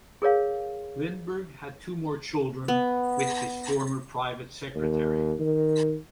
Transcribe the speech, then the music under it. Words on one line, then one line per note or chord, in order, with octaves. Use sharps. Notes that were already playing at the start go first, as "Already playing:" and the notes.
Lindbergh had two more children with his former private secretary.
G#4 A#4 C#5 F5
B3
D#2
D#3